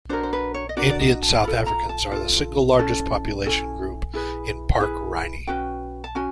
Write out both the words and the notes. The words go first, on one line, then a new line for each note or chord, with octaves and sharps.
Indian South Africans are the single largest population group in Park Rynie.
D4 F#4 A#4 C5
C5
B4
C#5
D#5
D4 F#4 A#4 D5
D5
D#5
A5
F4 A4 B5
A#5
A5
F4 A4
C#4 E4 A4
C#4 E4 A4 G#5
E4 G#4 B4
E4 G#4 B4
C#4 F#4 B4 G5
A5
C#4 F#4 G#5